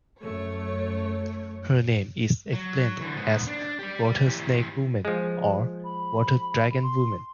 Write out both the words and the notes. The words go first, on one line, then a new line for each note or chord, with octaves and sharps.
Her name is explained as "water snake woman" or "water dragon woman".
F#2 A3 C#5
F#3
D3 E3
G#2 B3
D4
G4 D5
E3 G4
F3 G#3
B5
C6